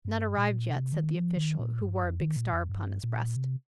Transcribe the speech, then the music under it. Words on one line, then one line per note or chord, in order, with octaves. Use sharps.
"Not arrived yet," said the official, who wore a big star upon his breast.
G2
A#2
C3
D#3
F3
D#3
A#2
G2
F2
D#3
A#2
F2
G2
A#2
C3